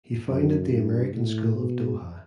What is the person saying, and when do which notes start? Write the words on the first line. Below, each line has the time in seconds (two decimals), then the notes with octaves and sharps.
He founded the American School of Doha.
0.28 F#2
0.70 G2
1.13 A2
1.55 B2